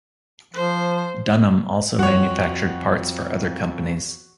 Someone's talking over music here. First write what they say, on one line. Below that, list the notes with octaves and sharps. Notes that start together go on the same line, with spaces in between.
Dunham also manufactured parts for other companies.
F3 C5
F2 F#4 C#5